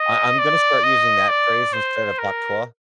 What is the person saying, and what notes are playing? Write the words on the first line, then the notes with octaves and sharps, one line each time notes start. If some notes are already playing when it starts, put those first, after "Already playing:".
I I'm gonna start using that phrase instead of Hawk Tuah.
Already playing: D#5
D5
D#5
D5
C5
A#4